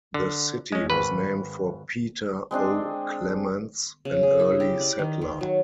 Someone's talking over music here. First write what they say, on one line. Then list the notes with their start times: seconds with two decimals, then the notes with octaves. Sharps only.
The city was named for Peter O. Clements, an early settler.
0.14 D3
0.72 G#3 C#4
0.90 G#1 B4
2.51 G#3 C4 D4 G#4
4.05 C#3
4.23 G#4
4.40 E4
4.60 G4
4.81 D5
4.99 D#3
5.21 D#3
5.41 F#3